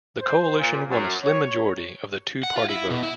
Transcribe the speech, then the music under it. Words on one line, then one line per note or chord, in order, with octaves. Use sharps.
The Coalition won a slim majority of the two-party vote.
C5
A#2
F#2
C#5
F#5
F4
E4
B2
E4